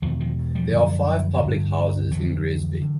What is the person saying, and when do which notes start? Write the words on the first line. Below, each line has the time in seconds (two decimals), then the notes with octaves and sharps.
There are five public houses in Greasby.
0.02 E2 B2 D#3 F3
0.20 D#3 F3
0.55 F3 G3
0.72 F#2 D3
1.42 G2 D3
2.11 F2 D3 E3 F#3
2.81 D3